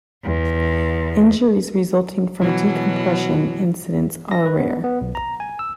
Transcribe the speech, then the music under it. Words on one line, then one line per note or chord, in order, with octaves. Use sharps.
Injuries resulting from decompression incidents are rare.
E2
B2 E3 F#3
A#6
B4
B3
B3
B1
A#5
G#5
E6